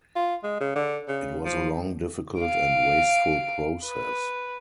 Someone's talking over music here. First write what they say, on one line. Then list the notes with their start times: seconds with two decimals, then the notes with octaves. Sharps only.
It was a long, difficult, and wasteful process.
0.16 F4
0.43 G#3
0.60 C#3
0.75 D3
1.08 C#3
1.45 F3
2.40 F5 D7
3.84 B4